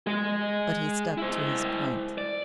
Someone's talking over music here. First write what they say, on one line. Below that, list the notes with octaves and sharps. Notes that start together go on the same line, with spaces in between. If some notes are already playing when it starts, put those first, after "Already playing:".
But he stuck to his point.
G#3 G#4 D#5
E4 C5
D5